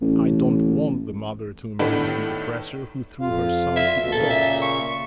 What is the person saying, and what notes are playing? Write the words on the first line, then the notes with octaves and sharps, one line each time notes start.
I don't want the mother to embrace the oppressor who threw her son to the dogs!
A1
A2 D#3 A3 B3 D4 E4
F2 F4 F5
E5
D2 B2
A#2 C#3 A#3 A4
E5
C#6